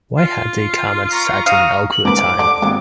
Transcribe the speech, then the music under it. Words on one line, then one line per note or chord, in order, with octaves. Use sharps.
Why had they come at such an awkward time?
F4
A#5 C#6
F5 D#6
F#7
G#2 A#4 B4 D6
E3
D3
G#1 A#3 B3